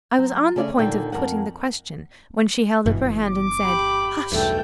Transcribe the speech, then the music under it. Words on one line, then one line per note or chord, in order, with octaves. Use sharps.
I was on the point of putting the question, when she held up her hand, and said, "Hush!"
F#3
C#3 A3 C#4 D5
D#2 A#2 D3 A4 G5
F2 A#4 F#5
G1 G2 B2 E3
D6
G4 B5
B1 E2 G2 A3 G5